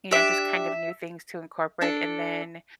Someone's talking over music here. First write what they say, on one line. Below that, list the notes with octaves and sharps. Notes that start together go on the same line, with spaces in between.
you know, just kind of new things to incorporate, and then
D4 G4 E5
D4 A4